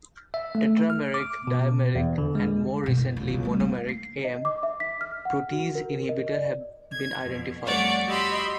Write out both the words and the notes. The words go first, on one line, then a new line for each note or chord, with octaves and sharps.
Tetrameric, dimeric, and, more recently, monomeric aM protease inhibitors have been identified.
E5
A3
F6
D6
B2
E2
D3
G#3
F#2 B2
D#3 E4
C#2
C#2 F4
G3 A3
A#3
C7
D#5
D6
E5
B6
F6
F#5
F#4
A#4
D#5
D5
G#6
F2 B2
F2 G3 A3 C#5 D5 F#5
F#4 G4 D#5 E5 B5 C6